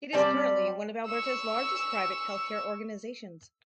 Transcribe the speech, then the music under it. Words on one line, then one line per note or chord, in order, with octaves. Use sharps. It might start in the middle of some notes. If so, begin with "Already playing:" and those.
It is currently one of Alberta’s largest private healthcare organizations.
G3 C4 D5 A5
C#6 E6